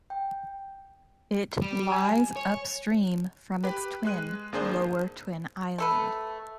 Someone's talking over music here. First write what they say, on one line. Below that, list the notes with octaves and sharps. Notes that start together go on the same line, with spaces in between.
It lies upstream from its twin, Lower Twin Island.
G5
G3
G#5
C#5
G4 B4 B5
G#3 F#6 D#7
G#1 A#3 D4 G#4 C5 G6
A3 A4 B4